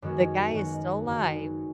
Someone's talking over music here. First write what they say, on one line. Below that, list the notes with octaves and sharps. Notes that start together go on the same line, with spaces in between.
the guy is still alive,
F#2 D#3 G#3 B3 F#4
F#2 D#3 G#3 B3 F#4
F#1 F#2 D#3 B3 D#4